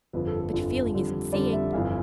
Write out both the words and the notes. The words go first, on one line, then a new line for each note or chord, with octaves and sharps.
But feeling isn't seeing.
G1 F2 D3 F3 B4
A4
A4
G1 F2 D3 F3
F2 D3 G3
F2 D3 G3 D5
E5
G1 F2 E3 F5